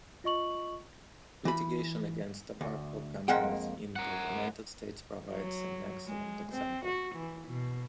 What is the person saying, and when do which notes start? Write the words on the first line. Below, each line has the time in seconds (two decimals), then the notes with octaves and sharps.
Litigation against tobacco companies in the United States provides an excellent example.
0.24 F4 D#5 C#6 F#7
1.45 E3 B5
2.61 D2
3.28 F2 G#3 A#3 F#5 G5
3.96 A#4 F#5
5.32 F#3
6.06 G#3
6.52 C4
6.85 F#4
7.15 E3
7.47 B2